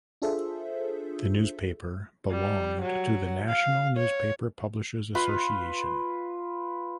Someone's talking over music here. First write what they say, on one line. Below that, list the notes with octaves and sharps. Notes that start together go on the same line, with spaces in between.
The newspaper belonged to the National Newspaper Publishers Association.
D4 F4 G#4 A4 C5 E5
G3
F#3
F5
C#5
F4 B4